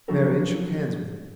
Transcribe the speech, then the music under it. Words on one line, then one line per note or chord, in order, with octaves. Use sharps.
Marian shook hands with him.
F3 F#3 D4 F#4 A4 A#4